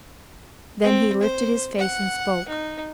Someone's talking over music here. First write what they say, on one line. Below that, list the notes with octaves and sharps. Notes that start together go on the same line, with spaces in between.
Then he lifted his face and spoke.
C4
C5
F#5
D#4